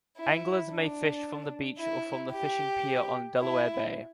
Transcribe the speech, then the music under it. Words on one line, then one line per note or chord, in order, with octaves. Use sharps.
Anglers may fish from the beach or from the fishing pier on Delaware Bay.
E4
D4
E4
G4
E4